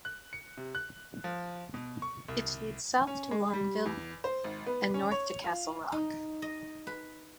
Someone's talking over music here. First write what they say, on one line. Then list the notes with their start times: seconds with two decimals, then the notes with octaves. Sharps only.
It leads south to Longview and north to Castle Rock.
0.05 F#6
0.33 C#7
0.57 C3
0.75 F#6
1.24 F3
1.74 B2
2.02 C#6
2.28 C2
3.07 C#4
3.31 G#3
3.53 G3
3.86 E2
4.24 C5
4.44 G#1
4.66 B3
4.94 C#4
5.11 C#5
5.44 F4
5.92 D#4
6.42 D#5
6.87 B4